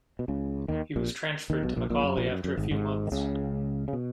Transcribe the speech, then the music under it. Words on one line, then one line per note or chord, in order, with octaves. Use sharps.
He was transferred to McAuley after a few months.
B2
C#2 C#3
D#2 D#3
A#1 A#2
D#2 D#3
B1 B2
A#1 A#2
A#1 A#2
F#2
A#1 A#2
F#2
F#2
G#1 G#2
G#1 G#2
D#3
C#2 C#3
C#3
B2